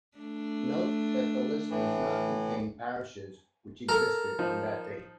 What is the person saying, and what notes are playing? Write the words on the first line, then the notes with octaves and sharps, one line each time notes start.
Note that the list does not contain parishes which existed on that date.
A3 D4
A2 E3
A4 A#4 A#5
F3 D#4